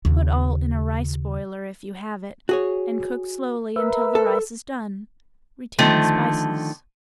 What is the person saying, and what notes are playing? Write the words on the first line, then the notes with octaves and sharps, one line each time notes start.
Put all in a rice boiler if you have it and cook slowly until the rice is done. Retain the spices.
D#2 C#3
F#4 G#4 C#5
A#4 B4 E5
A4
D3 D#3 F3 A3